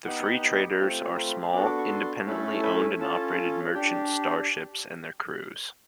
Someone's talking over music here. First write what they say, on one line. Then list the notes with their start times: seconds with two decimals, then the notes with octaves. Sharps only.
The Free Traders are small, independently owned and operated merchant starships and their crews.
0.05 B3 D#4 G4 F#5
0.79 A3 C4 F4 G5
0.91 G5
1.03 G#5
1.15 A#5
1.28 B5
1.41 C6
1.53 B3 D4 F#4 A4 D6
1.66 D6
1.78 C#6
1.90 C6
2.26 A3 C#4 E4 A4
2.63 B5
3.00 C#4 F4 A4 A5
3.74 D4 G4 G5